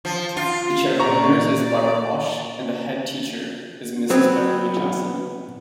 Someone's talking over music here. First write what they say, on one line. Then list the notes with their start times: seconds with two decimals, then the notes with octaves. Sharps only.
The Chair of Governors is Barbara Walsh and the Headteacher is Mrs Beverley Jackson.
0.05 F3
0.37 F4
1.00 A#2 D5 A#5 C#6
4.10 F#3 B3 C4